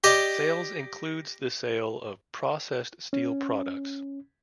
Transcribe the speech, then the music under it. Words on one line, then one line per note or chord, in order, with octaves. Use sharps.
Sales includes the sale of processed steel products.
G4 D5 D#5
C#4